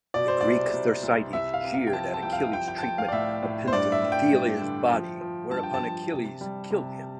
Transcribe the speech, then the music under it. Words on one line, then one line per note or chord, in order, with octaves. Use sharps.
The Greek Thersites jeered at Achilles's treatment of Penthesilea's body, whereupon Achilles killed him.
B2 D5
C5
C2 D5
C2
C2
C2 E5
F5
C3
F5
G5
F3 A5
A5
C2 G5
F5
G5
F3 G5
G5
A5
F3 G5
F5
D5
A2 E5
A2
C5
G2 D5
E5
G3
G5
G2
D3
F3
F3
G2 A5
G5
A5
F3
C3
G3
C3